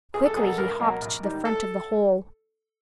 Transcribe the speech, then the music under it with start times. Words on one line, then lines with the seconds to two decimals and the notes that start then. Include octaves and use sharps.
Quickly he hopped to the front of the hole.
0.14 C#2 G#4
0.26 A4
0.36 B2 F#3 A#3 G#4
0.47 A4
0.58 C#2 A#4
0.80 B2 F#3 A#3
1.02 A#1
1.23 G#2 D#3 G3
1.45 A4